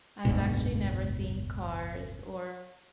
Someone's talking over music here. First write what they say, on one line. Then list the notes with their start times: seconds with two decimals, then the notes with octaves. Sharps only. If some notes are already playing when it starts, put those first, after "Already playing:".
I've actually never seen Cars or,
0.25 F#1 D2 G#2 B2